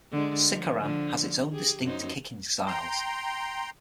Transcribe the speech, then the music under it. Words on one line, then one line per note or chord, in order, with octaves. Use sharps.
Sikaran has its own distinct kicking styles.
D3 G#3
F3
D3 F3
G4 G#4
F#2 D#4 C5
G5 A#5 C6